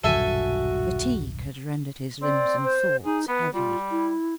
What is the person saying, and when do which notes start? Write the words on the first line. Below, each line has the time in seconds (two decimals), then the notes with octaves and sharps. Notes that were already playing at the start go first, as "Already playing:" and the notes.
Fatigue had rendered his limbs and thoughts heavy.
0.04 D#1 B1 G2 F#4 A4 E5 G#5
2.22 C4 D5
2.64 C5
3.05 D#4 G#4
3.28 B3 B4
3.54 G3 F4
3.91 E4